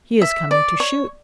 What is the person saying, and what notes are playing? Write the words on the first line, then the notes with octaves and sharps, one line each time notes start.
He is coming to shoot.
E5
D5
C#5